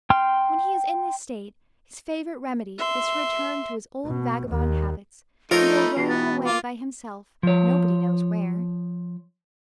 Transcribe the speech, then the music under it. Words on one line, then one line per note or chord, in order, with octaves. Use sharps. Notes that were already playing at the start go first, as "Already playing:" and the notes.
When he is in this state, his favorite remedy is to return to his old vagabond habits, and go roaming away by himself nobody knows where.
G5 C6 F6
E5 C6
B2
D#2
F3 A3 D#4 F4 A#4 C#5 A#6
B5
E2 B2 C7
B3 A6
F4 D6
F3 C#5